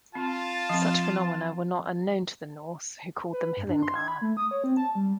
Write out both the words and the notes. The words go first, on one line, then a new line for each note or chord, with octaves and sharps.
Such phenomena were not unknown to the Norse, who called them "hillingar".
C4 F4 A5
F3 C4
B4
G2
D4
C6
G#6
B5
A3
D#6
C#5
C4
A5
G3